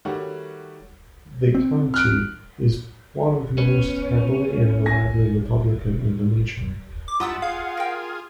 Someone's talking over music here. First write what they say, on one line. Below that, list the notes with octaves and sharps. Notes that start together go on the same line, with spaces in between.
The county is one of the most heavily and reliably Republican in the nation.
D#3 G3 A3 F#4 C#5 F#5
C4
F6 F#6 D7
B3 C#4
G#5 A#6
D6
G2 E4 F4 F#5 A5 A#5 D#6 E6
F4 G#4 F5
A#4 G5